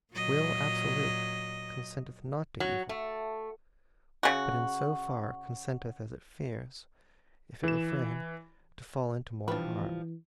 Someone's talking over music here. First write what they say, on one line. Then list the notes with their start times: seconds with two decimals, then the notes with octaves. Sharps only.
Will absolute consenteth not to evil; But in so far consenteth as it fears, If it refrain, to fall into more harm.
0.14 A#2 F#3 D#5
2.60 F#3
2.89 A3
4.23 C#3 F#4
7.63 E3 E7
9.48 E3 F3 G3 D4 B4